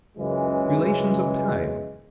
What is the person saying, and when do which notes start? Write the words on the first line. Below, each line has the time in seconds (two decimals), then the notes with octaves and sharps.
Relations of Time.
0.18 C#2 F#2 C#3 E3 G#3